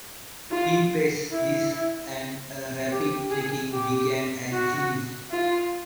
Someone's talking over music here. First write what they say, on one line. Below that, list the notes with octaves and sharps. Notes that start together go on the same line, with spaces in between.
He pressed this and a rapid clicking began and ceased.
F4
E4
G4
G#4
G4
F#4
F4